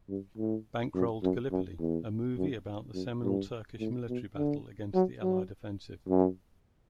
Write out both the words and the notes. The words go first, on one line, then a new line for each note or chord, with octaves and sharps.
Bankrolled "Gallipoli", a movie about the seminal Turkish military battle against the Allied offensive.
G2
A2
F#2
F#2
F#2
E2
F#2
F#2
G2
A2
B2
D3
F#3
F#3
F#2